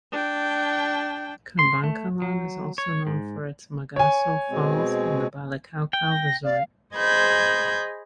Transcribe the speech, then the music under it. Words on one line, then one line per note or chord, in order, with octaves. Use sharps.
Kabankalan is also known for its "Mag-aso Falls" and the "Balicaocao Resort".
D4 G5
C6
A3
F#3
C#5
G#2
C#5 G#5
B2 G#3 C4
G5
A#6
D5 F5
G#4 C5 D#5 B5 G6 G#6